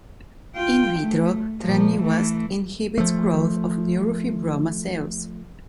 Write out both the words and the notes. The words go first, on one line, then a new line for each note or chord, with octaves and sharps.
In vitro, tranilast, inhibits growth of neurofibroma cells.
F4 G5
A3
A#2 F3
E3 A3
F3 A3